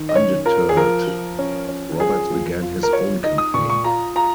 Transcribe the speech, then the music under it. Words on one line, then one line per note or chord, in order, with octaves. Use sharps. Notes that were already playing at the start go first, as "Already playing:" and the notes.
Undeterred, Roberts began his own campaign.
Already playing: D#3
D#5
C#4 C#5
F4 A#4
G#4
F3 A#4
F3
C#4
C#4
F4 G#4
F3
F4
A#4
F4 C#5
D#4 D#5
D#6
A#2 C#6
C#6
F4 A#5
F4 A#5